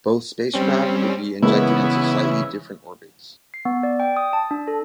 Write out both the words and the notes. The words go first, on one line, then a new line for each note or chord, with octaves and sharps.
Both spacecraft would be injected into slightly different orbits.
G3 C4 C#4
C#3 E3 G#3 A#3 B3 E4
C7
B3
D5
G5
D#6
A5
D4
A4